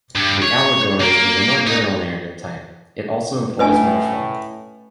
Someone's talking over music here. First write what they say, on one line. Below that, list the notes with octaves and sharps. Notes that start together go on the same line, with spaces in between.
The allegory is a more general narrative type; it also employs metaphor.
G2
C#5
A#3
D#4
A2 A3 C#4 D4 B4 D#5 G#5